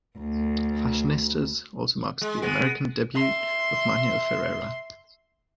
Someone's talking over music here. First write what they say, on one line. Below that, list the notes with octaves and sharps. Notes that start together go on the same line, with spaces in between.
"Fashionistas" also marks the American debut of Manuel Ferrara.
D2
G#3
G#3 B3
E5 C6